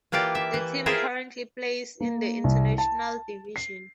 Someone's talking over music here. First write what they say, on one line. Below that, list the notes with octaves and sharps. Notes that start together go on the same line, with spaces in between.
The team currently plays in the International Division.
E3 A#3 F4 G4 D5
E5
E3
E4 F4 G#4 A#4 C5 E5
A#3
C2
A5
C7